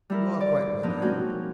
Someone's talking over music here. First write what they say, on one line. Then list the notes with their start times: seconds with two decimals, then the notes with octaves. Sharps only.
You are quite well, I hope?
0.10 G3 E4 A#4
0.40 D5
0.83 A#2 F3 B3 D4 D#4
1.02 G#3 A#3 C4 C#4 F#4